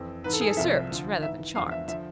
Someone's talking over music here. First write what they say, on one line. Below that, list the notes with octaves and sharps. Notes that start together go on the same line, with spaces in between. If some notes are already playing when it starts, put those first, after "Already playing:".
She usurped rather than charmed.
Already playing: F2 E3
G#2 E3 B4
A4
G#4
A4
C2 C3 F3 E5
D2 D3 F3
G#2 E3 E5
E2 D3 F3 F5
E5
D3 F3 E5